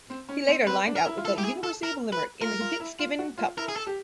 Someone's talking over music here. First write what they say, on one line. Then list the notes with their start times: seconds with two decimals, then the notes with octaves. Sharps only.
He later lined out with the University of Limerick in the Fitzgibbon Cup.
0.10 C4
0.29 C#4
0.48 C4
0.67 C4 B4
0.87 D4
0.96 A#4
1.06 E4
1.18 F4
1.25 A4
1.28 E4
1.38 G4
1.44 G#4
1.63 A4
1.83 A#4
2.13 B4
2.41 F4 A#4
2.60 F4
2.80 E4
2.99 F4
3.19 F#4
3.38 F4
3.58 E4 A#4
3.69 G#4
3.76 A4
3.87 G4